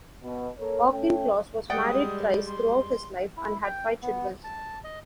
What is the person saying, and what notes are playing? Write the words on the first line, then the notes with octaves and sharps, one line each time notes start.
Auchincloss was married thrice throughout his life and had five children.
B2
A#3 A4 A#4 C#5
A3 C#4 G5
G3 G#3 D5 F#5 G5 D#6
C6
E4
G5
B3
A5
D#5